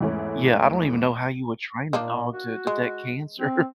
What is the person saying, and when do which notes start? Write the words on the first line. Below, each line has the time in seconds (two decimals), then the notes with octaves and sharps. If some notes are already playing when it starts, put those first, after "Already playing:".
Yeah. I don't even know how you would train a dog to detect cancer,
0.01 E2 G#2 E3 A3 C#4
1.93 A#2 A#3 D4 D#4
2.32 F#4
2.67 G#3
3.40 C4